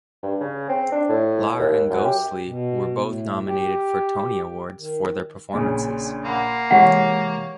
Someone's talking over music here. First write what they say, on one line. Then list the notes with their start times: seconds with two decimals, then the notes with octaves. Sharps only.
Lahr and Ghostley were both nominated for Tony Awards for their performances.
0.23 G2
0.40 C#3
0.69 C4
0.92 D4
1.09 A2
1.59 D#2
1.90 F#2
2.05 G4
2.46 B2
3.00 A2
3.47 G4
4.79 D#3
5.53 A#1 A#2 C#3
6.25 A#3 F#5 B5 C6
6.71 C3 E3 G#3 G4 C#5 F#5